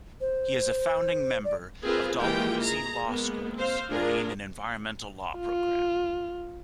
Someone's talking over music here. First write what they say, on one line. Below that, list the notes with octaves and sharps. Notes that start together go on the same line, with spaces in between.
He is a founding member of Dalhousie Law School's Marine and Environmental Law Programme.
C5
D5
C4 F4 G#4 A#4 B4
E3 G#3 A#3 F4 G4 G5
G#4 A#5
G#3 A#3 B3
C4 C5 F5
D4 F4 G#4 A#4
F4